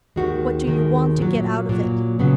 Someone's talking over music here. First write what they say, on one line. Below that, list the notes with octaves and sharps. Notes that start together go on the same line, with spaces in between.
"What do you want to get out of it?"
D#2 D#3 G#3 F#4
D#2 D#3 G#3
A#2 F#3
A#2 F#3
C#3 F#3 B3